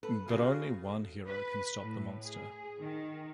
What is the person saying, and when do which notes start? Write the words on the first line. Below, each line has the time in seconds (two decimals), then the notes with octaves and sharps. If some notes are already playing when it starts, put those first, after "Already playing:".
But only one hero can stop the monster.
0.03 A4 B4
0.28 C#3 F4 F#4 G#4
1.26 B4
1.80 A2
2.22 G#4
2.80 D#3